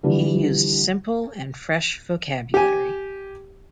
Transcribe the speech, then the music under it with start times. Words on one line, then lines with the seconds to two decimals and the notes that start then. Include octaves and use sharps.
He used simple and fresh vocabulary.
0.03 D3 E3 F3 G3 D4
2.54 G4 G#5